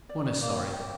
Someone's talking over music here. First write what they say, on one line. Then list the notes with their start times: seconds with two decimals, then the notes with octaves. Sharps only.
One is sorry.
0.09 D5
0.25 D5
0.41 A#3 D5
0.58 G5
0.73 G5